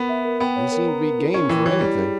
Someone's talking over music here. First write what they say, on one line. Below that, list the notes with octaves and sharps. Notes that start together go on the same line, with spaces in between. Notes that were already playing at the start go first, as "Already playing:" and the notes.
They seem to be game for anything.
Already playing: B3 A#4
E5
A#4
B3 G5
C#5
A#4
A#5
A#4
E4
C#4 C#6
E3 G5
E3 C#5
G3 E4
G#4